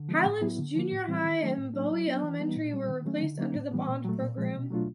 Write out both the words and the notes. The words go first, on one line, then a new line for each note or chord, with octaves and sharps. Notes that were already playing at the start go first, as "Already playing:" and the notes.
Highlands Junior High and Bowie Elementary were replaced under the bond program.
Already playing: D3
F3 G#3 C4
A2
F#3 B3 E4
D3
F3 A#3
A2
E3 G3 C4
D#3
F#3 A3 D4
A2
F#3 A#3 D4
F#3
B3 D4
E3
G3 B3 D#4
A#2
G3 C4
D#3
F#3 A3 C#4
D3
F#3 A#3 D#4
A2
E3 G3 B3
A#2
F#3 A3
A#2
F3 G#3
B2
F#3 A3 D4 F4